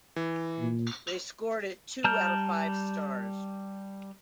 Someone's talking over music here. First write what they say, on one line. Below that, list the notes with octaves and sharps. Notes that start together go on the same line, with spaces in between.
They scored it two out of five stars.
E3
A#2
G3 A5 A#5 F6 G6